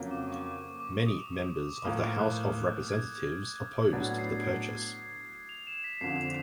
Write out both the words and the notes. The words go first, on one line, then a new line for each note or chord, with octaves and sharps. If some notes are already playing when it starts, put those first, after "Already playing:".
Many members of the House of Representatives opposed the purchase.
Already playing: F2 C#3 F#3 A#3
D6
C#6
D6
D6
D#6
D6
D6
D6
A2 F3 A#3 D#6
F6
F#6
G6
G#6
A2 F#3 B3 D4 A6
G#6
C7
F7
E7
B6
F2 D3 F3 C7